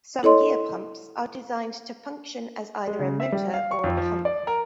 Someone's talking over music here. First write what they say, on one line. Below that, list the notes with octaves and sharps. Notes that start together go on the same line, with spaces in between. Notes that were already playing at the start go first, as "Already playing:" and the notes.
Some gear pumps are designed to function as either a motor or a pump.
E4 A4 C#5 D#5 C6
G#3
C#3
E5
G3
F5
C#6
F2
F3
D5
A#4